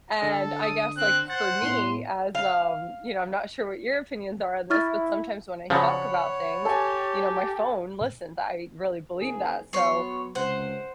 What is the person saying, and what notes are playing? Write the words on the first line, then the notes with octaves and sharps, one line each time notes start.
And I guess, like, for me as, um, you know I'm not sure what your opinions are on this, but sometimes when I talk about things, you know, my phone listens. I really believe that, so,
D3 D4 A4
D#6
C4 F#6
C5 F#5 A6
A2 B3 C6
F5
E4 C#6 F6 A6
C#3 F3 F#3 C#5 D5 F#5 B5
G4 A4 G#5
F#1 D#3 G#4
F#3 B3 C#5 C6
C#2 C3 C5 F#5